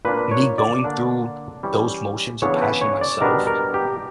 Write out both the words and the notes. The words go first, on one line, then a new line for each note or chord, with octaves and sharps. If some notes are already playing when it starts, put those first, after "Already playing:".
me going through those motions of passion myself
A#2 A#3 D4 B4
C#5
D5
D3 A#3 D4
E3 G3 C#4
C#3 E3 B3 D4 C#5
B4
C#5
D5
B2 G3 B3 D4 A#4
A#4
G4